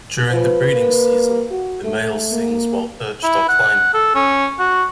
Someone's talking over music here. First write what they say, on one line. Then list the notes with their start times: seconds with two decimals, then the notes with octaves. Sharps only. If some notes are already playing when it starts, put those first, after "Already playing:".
During the breeding season, the male sings while perched or climbing.
0.32 F3 B4
0.73 A#3
1.51 F#4
1.84 A3
2.32 A#3
3.23 E4
3.49 F#5
3.94 A4
4.15 C#4
4.60 F#4